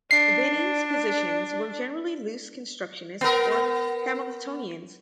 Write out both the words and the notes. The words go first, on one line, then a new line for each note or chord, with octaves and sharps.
Vining's positions were generally loose-constructionist, or Hamiltonian.
D4 C7
B3 A#4